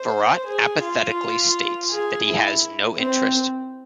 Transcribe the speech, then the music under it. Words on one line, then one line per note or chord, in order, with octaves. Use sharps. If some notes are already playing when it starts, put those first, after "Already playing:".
Virat apathetically states that he has no interest.
Already playing: C5
G#4
F4
G#4
E4
C4